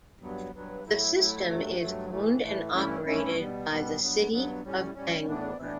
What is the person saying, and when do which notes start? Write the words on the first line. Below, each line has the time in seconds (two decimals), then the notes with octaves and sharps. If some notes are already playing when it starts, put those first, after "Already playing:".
The system is owned and operated by the City of Bangor.
0.21 G2 F#3 B3
0.54 G2 F#3 B3
0.85 A2 F#3 A3 E4
1.15 A2 F#3 A3 E4
1.48 G2 F#3 A3
1.78 G2 F#3 A3
2.10 A2 E3 A3
2.41 A2 E3 A3
2.74 G2 E3 A3 C#4 E4
3.05 G2 E3 A3 C#4 E4
3.36 B2 G3 B3
3.68 B2 G3 B3
4.00 G2 F#3 B3
4.32 G2 F#3 B3
4.63 A2 G3 C#4
4.95 A2 G3 C#4
5.26 A2 E3 B3 D4
5.57 A2 E3 B3 D4